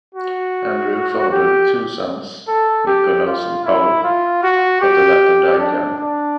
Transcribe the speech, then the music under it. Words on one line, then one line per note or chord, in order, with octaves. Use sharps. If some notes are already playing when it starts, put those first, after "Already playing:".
Andrew fathered two sons, Nicholas and Paul, but the latter died young.
F#4
G4
A4
G4
F4
E4
F4
F#4
G4
D4
D4